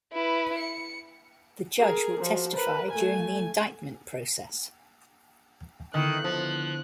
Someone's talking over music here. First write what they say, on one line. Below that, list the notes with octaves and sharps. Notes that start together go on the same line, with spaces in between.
The judge will testify during the indictment process.
E4 B4
C#7
G#4 A#4
F3 F#4
A#4 B4
A3 G#5
D3 D#3 B3 E4 F#6
F3